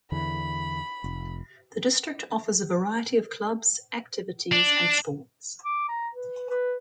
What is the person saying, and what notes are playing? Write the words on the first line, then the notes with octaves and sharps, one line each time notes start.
The district offers a variety of clubs, activities and sports.
E2 D3 E3 B5
F1
D4
D6
A#5
B4
B4